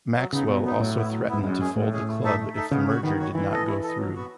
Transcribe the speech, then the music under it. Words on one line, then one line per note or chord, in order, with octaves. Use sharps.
Maxwell also threatened to fold the club if the merger did not go through.
F#3
C#3 B3 D#4
B2 F#3
B3 D#4
A2 F#3
B3 E4
F#3
G#2 B3 E4
F#2 G#3
C#4 G#4
A2 G#3
C#4 G#4
A3
D#4 A4 E5
A3
D#4 A4 E5
C#3 B3
F#4 C#5
D#3 B3
F#4 C#5
E3 E4
A4 D#5
E4
A4 D#5
F#3
B3 F#4